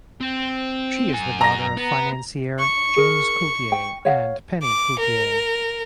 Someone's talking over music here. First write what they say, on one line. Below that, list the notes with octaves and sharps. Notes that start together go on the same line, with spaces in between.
She is the daughter of financier James Coulter and Penny Coulter.
C4
F#2 G#5
A#5 A#6
B3
C#6
G#4 A#4
G5
C#5 F5 F#5
D6
A#4